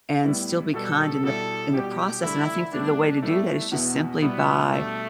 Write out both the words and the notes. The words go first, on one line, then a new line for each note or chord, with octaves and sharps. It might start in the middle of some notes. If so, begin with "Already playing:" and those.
and still be kind in the in the process, and I think that the way to do that is just simply by,
A2 G3 B3 E4
B2 G3 B3 A4
B2 G3 E4 A4
B2 G3 E4 G4
G2 D3 A3 D4 E4
A2 G3 B3 D4
A2 G3 A3 B3 E4
E2 B2 B3 E4
B2 G3 B3 E4
B2 G3 A3 D4